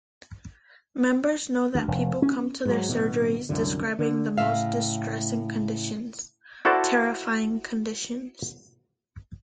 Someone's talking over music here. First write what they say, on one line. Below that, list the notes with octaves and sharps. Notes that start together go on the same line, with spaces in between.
Members know that people come to their surgeries describing the most distressing conditions-terrifying conditions.
D2
F1
C#4
G#2 F#3
D1 B2
C2 F#2 D3
D3
A2 C#3 E5 F5
E4 F#4 A4 C5 D5 A5